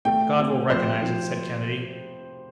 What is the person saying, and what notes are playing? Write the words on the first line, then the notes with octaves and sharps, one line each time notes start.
"God will recognize it!" said Kennedy.
A3 G5
C3
F3 C5
F3